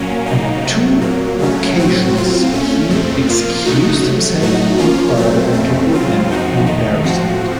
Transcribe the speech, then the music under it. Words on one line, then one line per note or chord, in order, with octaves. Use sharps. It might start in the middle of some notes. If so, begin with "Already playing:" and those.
On two occasions he excused himself in order to prevent embarrassment.
Already playing: A#2 F#3 A#3 C#4
C#3 F#3 A#3 D#4
C3 F#3 A3
A#2 F#3 A#3
C#3 F#3 A3 C#4
A2 F#3 C4 F#4
A2 F#3 C4 F4
A#2 A3 C#4
F2 C#3 A3 C4
A#2 F3 A#3 F4
C#3 F#3 A3 D#4 F#4
C3 F#3 A3
A2 F#3 A3 D#4 F#4
F3 A#3 C#4 F4
A#2 F#3 A3 C4
F2 C#3 A3 C4
C#3 F#3 C4 F4
F#2 F3 C4 D#4 F#4
F2 D#3 A3 D#4
A2 F3 C4 F#4